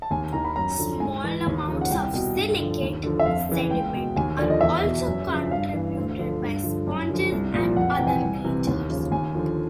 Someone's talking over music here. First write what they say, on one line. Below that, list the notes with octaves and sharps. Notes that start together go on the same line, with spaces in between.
Small amounts of silicate sediment are also contributed by sponges and other creatures.
A5
D#2 G#5
D#3 A#5
B5
F#2 A#5
D3 F3
G#2 G#5
E3
D#2
C#3 F3
F#5
C2 G5
B2
G2
D3 F3
D#2
D3 F3
E5
F2 F5
C#3 E3
C#2 G5
B2
D#2 G#5
D3 F3 D5
D#5
E2 E5
B2
F#2
C#3
F3
G2 F5
E3
D2
D3 F3
G2
D3 F3
F#2
D3 F3
C2
A#2 F3
F2 F#5
G5
C3 E3
G#5
C2
C3 E3
D#2
C#3 F3
D#2 G#5
D3 F3